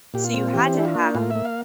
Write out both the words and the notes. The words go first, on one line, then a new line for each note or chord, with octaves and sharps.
so you had to have
A#2 G4
F4
C4
E3 G4
D4 E4
F4
A#3
A2 F4
A#3 E5
F5